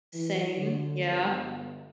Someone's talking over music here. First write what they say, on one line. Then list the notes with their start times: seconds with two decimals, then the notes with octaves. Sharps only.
Same, yeah.
0.13 E3
0.57 D3
1.04 G1